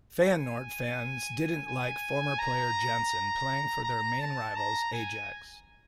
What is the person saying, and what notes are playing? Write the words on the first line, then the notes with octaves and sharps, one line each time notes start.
Feyenoord fans didn't like former player Jansen playing for their main rivals Ajax.
G#5
G#5
A#5
A#5
A5
A#5
G#5